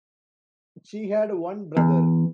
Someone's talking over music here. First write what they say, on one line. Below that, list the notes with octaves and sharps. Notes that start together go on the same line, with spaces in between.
She had one brother.
E2